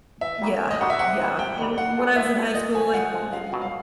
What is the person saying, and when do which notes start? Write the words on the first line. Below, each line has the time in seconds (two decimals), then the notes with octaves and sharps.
Y yeah, yeah. And when I was in high school, I did w
0.21 E3 E5
0.42 G3 A#3 D#4 F#4
0.60 E3
0.71 D#5
0.80 G3 A#3 D#4 F#4 F#5
0.90 E5
0.99 C3 F#5
1.19 D#3 G3
1.39 C3 G5
1.59 D#3 G3
1.77 D#3 F#5
1.97 G3 C4 F4 A4
2.16 D#3 E5
2.36 G3 C4 F4 A4
2.55 A#2 D#5
2.75 F3 G#3 G#5
2.94 A#2 F#5
3.13 F3 G#3
3.33 C#2 F5
3.52 B2 F#3
3.62 F5